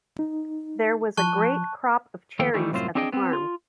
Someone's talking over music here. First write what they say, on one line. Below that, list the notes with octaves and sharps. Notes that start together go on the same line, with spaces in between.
There was a great crop of cherries at the farm.
D#4
F3 A5 C#6 F#6
F2 D#3 A#3 A4 F5 G5
D#3 E3 G3 A3
C2 F#2 A2 C4 F4 C5
C4 D4 E4 G#4 D#5 G5
B3 C4
F4